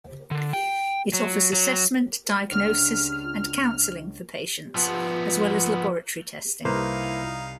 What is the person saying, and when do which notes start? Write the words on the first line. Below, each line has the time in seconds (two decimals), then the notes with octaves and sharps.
It offers assessment diagnosis and counselling for patients as well as laboratory testing.
0.31 D3
0.53 G5
1.13 F#3
1.53 F#3
2.51 C#2 D4 F6
4.75 F3 B3
6.65 C2 A#3 D#4 E4 B4 C5 F5